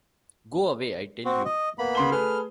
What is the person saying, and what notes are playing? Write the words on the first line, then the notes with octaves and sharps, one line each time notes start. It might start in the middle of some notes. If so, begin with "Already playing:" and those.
Go away, I tell you.
C4 F#4
D#5
A#3 B3 B5
C#3 C6 G7
A3 G#4 B4 F6